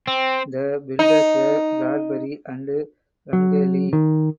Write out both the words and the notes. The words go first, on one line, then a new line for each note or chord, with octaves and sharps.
The builders were Bradbury and Rangeley.
C4
D#4
F#3
D#3